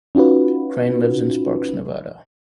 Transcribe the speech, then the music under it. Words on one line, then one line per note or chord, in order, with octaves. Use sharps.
Crane lives in Sparks, Nevada.
C#4 D#4 F4 F#4 B4